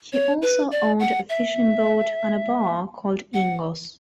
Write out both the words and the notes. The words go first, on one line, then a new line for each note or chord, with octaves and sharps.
He also owned a fishing boat and a bar called "Ingo's".
C#5
B4
D5
F#5
E5
F#5